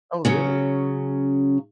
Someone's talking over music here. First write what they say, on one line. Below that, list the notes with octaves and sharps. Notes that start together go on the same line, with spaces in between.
Oh, really?
C#3 F#3 C#4